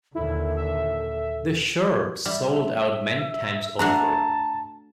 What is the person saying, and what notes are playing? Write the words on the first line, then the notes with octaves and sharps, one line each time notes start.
The shirts sold out many times over.
D#2 A#2 D3 E4 A4
E5
G3 E5
A3 D4 F#4 A5 A#5